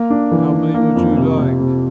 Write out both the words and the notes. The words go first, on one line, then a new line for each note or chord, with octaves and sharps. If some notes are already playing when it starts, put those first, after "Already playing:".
"How many would you like?"
Already playing: A#3
D4
E3
D4
A#3
F2
C3
C3
C3